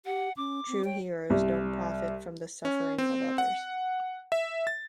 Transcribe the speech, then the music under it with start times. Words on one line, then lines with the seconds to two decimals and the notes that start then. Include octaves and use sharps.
True heroes don't profit from the suffering of others.
0.06 G4 F#5
0.37 C#4 D6
0.68 C4
0.84 C#5 G5
1.30 C2
2.65 C#4
2.98 C4
3.38 F#5
4.32 E5
4.67 A6